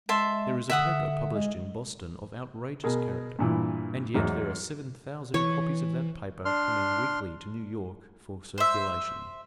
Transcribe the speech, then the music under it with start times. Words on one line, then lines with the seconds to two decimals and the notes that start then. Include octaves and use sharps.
There is a paper published in Boston of outrageous character, and yet there are seven thousand copies of that paper coming weekly to New York for circulation.
0.09 G#3 E5 A5 C6
0.70 D3 E5 F#5 D#6
1.34 G#3
2.84 B2 G#4 A#4
3.39 G2 A#2 E3
4.14 E2 G#2 F#3 D#4
5.34 E3 C#5
6.45 D4 C6 F6
8.58 C5 E5